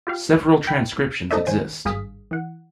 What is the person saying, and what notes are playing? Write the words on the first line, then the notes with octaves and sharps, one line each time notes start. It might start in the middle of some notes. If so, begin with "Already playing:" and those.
Several transcriptions exist.
F4 G4 F5
G5 B5
D#4 A4 C5 D5 E5
D#3 C#4 C5 G#5
G#1 G2 G#4 F5 D#6 B6
E3 F#5